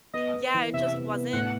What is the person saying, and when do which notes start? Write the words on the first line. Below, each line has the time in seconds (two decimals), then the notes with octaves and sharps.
Yeah. It just wasn't
0.14 B3 D#5
0.34 B3
0.54 E3
0.73 C3 E5
0.94 B3
1.13 B3
1.33 A2 F#5